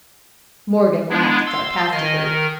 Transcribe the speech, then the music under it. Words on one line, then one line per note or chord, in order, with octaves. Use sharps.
Morgan laughed sarcastically.
G#3 B3 D4 E4
F5 C6 E6
D#3 D#5 G#5
D#3 A#4